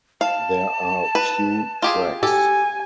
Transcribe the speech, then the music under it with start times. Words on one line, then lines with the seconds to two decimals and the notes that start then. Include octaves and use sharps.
There are few tracks.
0.21 F5 A5
1.15 B4
1.82 F4 G4 G#4
2.23 G4 A4 G#5